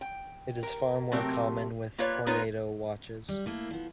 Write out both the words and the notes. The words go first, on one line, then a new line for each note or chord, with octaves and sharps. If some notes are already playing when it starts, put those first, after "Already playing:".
It is far more common with Tornado Watches.
G5
A#4
C3 F#3 A3 C4 G4 A#4
A#3 F4 B4 C#5 D5
B3 D#4 F4 A#4 B4 C#5
G3
A3 A#3 E4
F3 B3